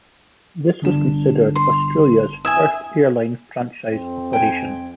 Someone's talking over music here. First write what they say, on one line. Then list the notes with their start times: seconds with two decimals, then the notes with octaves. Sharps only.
This was considered Australia's first airline franchise operation.
0.82 G1 D4 E7
1.55 C6
2.45 E5 G#5 D#6 G#6
3.92 F2 C4
4.33 G5 G#5